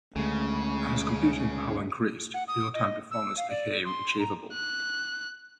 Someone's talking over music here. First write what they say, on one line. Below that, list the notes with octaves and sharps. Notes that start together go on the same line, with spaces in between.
As computing power increased, real-time performance became achievable.
D2 C#3 G#3 A3
F#5
D#6
D#5
E6
F5
D5
C6
A#5
F#6